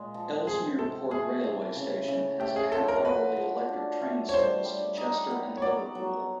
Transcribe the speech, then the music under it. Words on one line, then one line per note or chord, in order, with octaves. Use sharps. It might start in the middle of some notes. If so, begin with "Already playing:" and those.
Ellesmere Port railway station has a half-hourly electric train service to Chester and Liverpool.
Already playing: A#2 G#3
F3
C4 G#4
C3 A4
A3 G#4
E3
C#3
C#3
A3 G4
G#4
F3 A4
A#4
F#4 B4
F3
D4
A3
C#5
G3 C5
G3
D#4
B3
C#5
F#3 D5
F#3